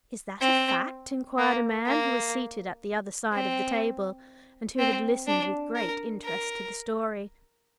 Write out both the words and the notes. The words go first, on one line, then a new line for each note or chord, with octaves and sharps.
"Is that a fact?" inquired a man who was seated at the other side of the table, and who had listened with great interest to the story.
C4
A#3
A#3
C4
C4
D4
A#4
A#4